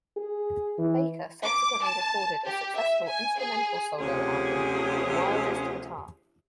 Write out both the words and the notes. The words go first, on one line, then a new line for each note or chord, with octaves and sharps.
Baker subsequently recorded a successful instrumental solo album, "The Wildest Guitar".
G#4
E3
D6
A5
G4
E5
G#5
G#4
D2 C3 F3 C#4 G#4